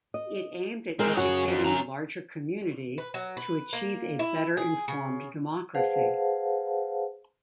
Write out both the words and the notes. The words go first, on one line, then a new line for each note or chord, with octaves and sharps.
It aimed at educating the larger community to achieve a better informed democracy.
D#5
G#3 C4 D#4 A#4
F#2 F#4 G#4 C#5
F2
C#4 A#5
B4
F#3
B4
A#3
E4
G#4
C#3
G#4 B4 C5 F5 F#5 A5